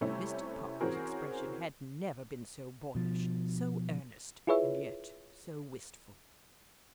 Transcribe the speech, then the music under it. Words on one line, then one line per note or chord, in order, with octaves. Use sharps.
Mr. Parker's expression had never been so boyish, so earnest, and yet so wistful.
C3 G3 A3 C#4 E4 C5
E3 C4 C#4 F#4 G#4 A#4
B2 F3
E4 F4 G#4 B4 C#5 E5